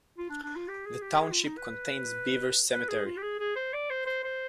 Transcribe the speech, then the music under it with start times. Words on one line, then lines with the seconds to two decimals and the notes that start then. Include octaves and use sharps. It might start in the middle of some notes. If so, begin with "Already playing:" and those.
The township contains Beaver Cemetery.
0.18 F4
0.30 D4
0.43 D4
0.55 F4
0.68 G4
0.86 G#4
1.02 G4
1.19 G#4
1.31 F4
1.45 D#4
1.57 B4
2.71 B4
2.88 G#4
3.05 F4
3.17 G4
3.22 G#4
3.39 G#4
3.56 C5
3.73 D5
3.90 C5
4.06 C5
4.24 C5